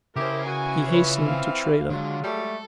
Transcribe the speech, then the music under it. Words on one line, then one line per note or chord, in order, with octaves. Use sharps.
He hastened to Tredah.
C#3 C#4 E4 G4 A#4 C5
E3 F#4 G#5
F4 B4 C#5
C4 F5
D3 F#3 G#3 F4
G3 A3 A4